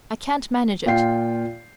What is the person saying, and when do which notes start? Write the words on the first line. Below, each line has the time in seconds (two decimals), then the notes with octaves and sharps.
I can't manage it.
0.86 A#2 F4 G5 C7